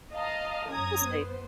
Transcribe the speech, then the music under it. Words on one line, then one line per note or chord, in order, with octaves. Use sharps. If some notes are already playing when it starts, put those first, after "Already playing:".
we'll see.
D#5 F5 A5 A#5
F#2 C#4 A#5 D#6 G#6
B3 C5